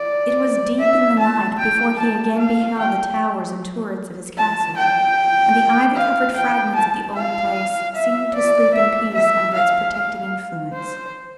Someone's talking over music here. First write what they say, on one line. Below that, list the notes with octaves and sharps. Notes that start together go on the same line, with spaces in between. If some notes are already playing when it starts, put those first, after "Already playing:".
It was deep in the night before he again beheld the towers and turrets of his castle, and the ivy-covered fragment of the old Place seemed to sleep in peace under its protecting influence.
Already playing: D5
E5
A5
G5
A5
F5
G5
A5
G5
F5
G5
A5
F5
E5
D5
E5
E5
F5
F5
C5